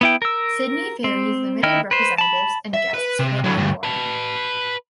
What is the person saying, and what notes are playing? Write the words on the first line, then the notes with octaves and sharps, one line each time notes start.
Sydney Ferries Limited representatives and guests were on board.
B3 E4 G5
A#4 E6
C4
D#3 E4 D#5 G5 F6
B4 C5
A5 B5
E5
B4
C3
D3 F#3
D2 G2
B4 A5